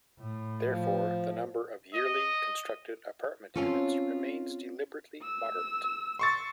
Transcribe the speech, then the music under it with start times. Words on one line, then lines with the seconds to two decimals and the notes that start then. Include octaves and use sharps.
Therefore the number of yearly constructed apartment units remains deliberately moderate.
0.20 A2
0.63 F3
1.94 D#5
3.55 C4 C#4 F4 A4
5.23 E6
6.19 C6 C#6 A6